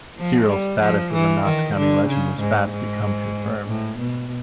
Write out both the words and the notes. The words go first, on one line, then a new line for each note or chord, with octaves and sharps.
Sirrel's status as a Notts County legend was fast become confirmed.
F3
G3
F3
E3
D#3
D3
C#3
G#2
G#2
A2
B2